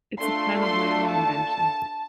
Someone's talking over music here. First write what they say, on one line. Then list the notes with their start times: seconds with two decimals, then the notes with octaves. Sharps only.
It’s a plan of my own invention.
0.19 A3 D4 F4 A4 C6
0.64 C6
1.08 A5